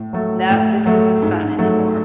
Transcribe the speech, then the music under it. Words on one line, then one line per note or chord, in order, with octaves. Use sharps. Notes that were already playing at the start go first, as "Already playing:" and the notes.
"No, this isn't fun anymore."
Already playing: A2
F#3 A3
A2
F#3 A3
G#2
F#3 A3